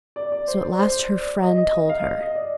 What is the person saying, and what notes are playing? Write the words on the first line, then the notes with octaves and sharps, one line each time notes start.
So at last her friend told her.
D5
D5
C5
D5
C5
D5
D#5
D#5
D#5
F5
D#5
D#5
D5